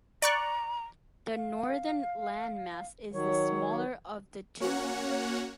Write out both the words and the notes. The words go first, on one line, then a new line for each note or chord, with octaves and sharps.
The northern landmass is the smaller of the two.
D5 A#5 C#6 F#6
F5
D#3 F#3 C#5
A#3 C#4 F#4 C#5 F#5